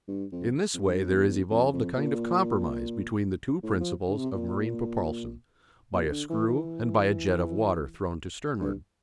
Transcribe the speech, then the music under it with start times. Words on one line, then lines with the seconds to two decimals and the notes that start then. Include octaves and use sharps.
In this way there is evolved a kind of compromise between the two principles of marine propulsion, by a screw and by a jet of water thrown to sternward.
0.08 G2
0.32 F2
0.74 F2
0.79 G2
1.05 F2
1.15 E2
1.51 F2
1.73 F2
1.97 A#2
3.63 A2
3.80 F3
4.08 D3
4.17 C3
4.34 A#2
5.94 A#2
6.11 D3
6.30 E3
6.47 E3
8.61 G2